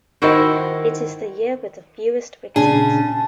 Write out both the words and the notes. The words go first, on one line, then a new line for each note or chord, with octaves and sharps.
It is the year with the fewest victims.
D#3 E4 F#4 C5
A#2 C#3 C#4 D4 G#4 A5